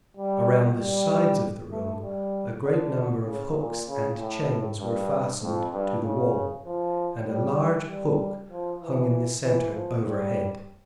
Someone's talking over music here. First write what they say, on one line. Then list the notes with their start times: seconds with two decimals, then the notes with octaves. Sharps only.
Around the sides of the room, a great number of hooks and chains were fastened to the wall, and a large hook hung in the center overhead.
0.17 G3
0.79 G3
1.72 A3
2.02 G3
2.65 D3
3.26 C#3
3.58 A#2
3.88 C#3
4.18 A2
4.80 G2
5.43 F2
5.73 G2
6.04 C#3
6.66 F3
7.27 G3
7.88 G3
8.50 F3
8.81 E3
9.43 E3
9.73 F3
10.05 G3